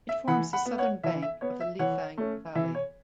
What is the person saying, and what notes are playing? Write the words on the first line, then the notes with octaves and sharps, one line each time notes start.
It forms the southern bank of the Lethang valley.
E5
E3 F#5 B5
F#5 B5
B3
C#5 F#5
E3 E5
E5
B3 C#5
E5
E3 C#5 F#5
A3 C#4
E3 E5
C#5